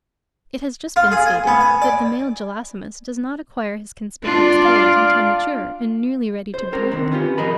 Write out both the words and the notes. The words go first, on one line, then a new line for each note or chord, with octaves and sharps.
It has just been stated that the male Gelasimus does not acquire his conspicuous colours until mature and nearly ready to breed.
F4
G#4
G#5
B3
G#5
D5
D4 F4 D5
F5
C5
C4 C#4 A#4 C#5
D3 D#3 C4
B3 C#4 F4 G4
F3 G#4 A#4 D#5 B5